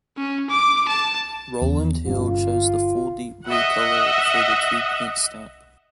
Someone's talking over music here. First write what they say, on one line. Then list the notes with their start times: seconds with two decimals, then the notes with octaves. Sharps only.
Rowland Hill chose the full deep blue colour for the two pence stamp.
0.18 C#4
0.50 D6
0.88 A5
1.61 E2
2.07 G1 C#4 F4
3.46 D#5 E5 F#5